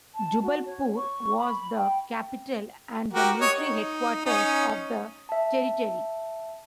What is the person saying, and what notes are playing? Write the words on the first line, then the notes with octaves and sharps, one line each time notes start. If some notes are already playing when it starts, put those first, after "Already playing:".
Jubbulpore was the capital and the military headquarters of the territory.
A5
F#4
C#5
C#6
B5
G5
F#4 G4 A#4
C#5 D#5
D#4
C#4 D#4
E5 A5